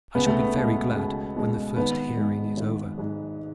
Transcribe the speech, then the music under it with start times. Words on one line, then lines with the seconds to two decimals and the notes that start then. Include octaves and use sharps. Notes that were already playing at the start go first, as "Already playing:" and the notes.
I shall be very glad when the first hearing is over.
0.15 C#2 B3
0.26 A3
0.39 B3
0.56 B2 G#3
0.96 C#2
1.37 B2 G#3
1.76 G#1 B3
2.17 G#2 G#3
2.57 G#1
2.98 G#2 G#3